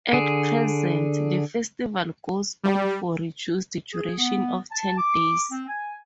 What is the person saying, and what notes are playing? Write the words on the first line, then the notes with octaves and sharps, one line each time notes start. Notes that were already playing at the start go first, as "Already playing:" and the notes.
At present, the festival goes on for reduced duration of ten days.
D3 G#4
G3
G#4
B3
A5
D6
C4
G#5